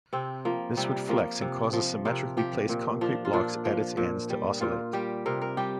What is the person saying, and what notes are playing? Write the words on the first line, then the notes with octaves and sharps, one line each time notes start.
This would flex and cause the symmetrically-placed concrete blocks at its ends to oscillate.
C3 C4
F3 A#3
C3 G3
F3 A#3
C3
F3
C3 A#4
F3 G4
A#2
F3 D4
F4
A#2 D4
F3
A#2
G3
A#2 F4
G3 G4
C3 A#4
A#4
G3 G4